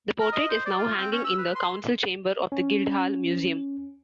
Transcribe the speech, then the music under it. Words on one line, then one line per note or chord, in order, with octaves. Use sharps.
The portrait is now hanging in the Council Chamber of the Guildhall Museum.
A#4
D#5
C5
D5
F4
C4
C#4
E6
B4
C6
C#4